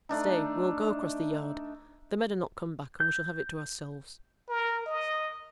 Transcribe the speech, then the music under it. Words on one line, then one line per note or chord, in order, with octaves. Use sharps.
Stay, we'll go across the yard; the men are not come back, and we shall have it to ourselves.
A3 D4 D#4
G6
A#4
D#5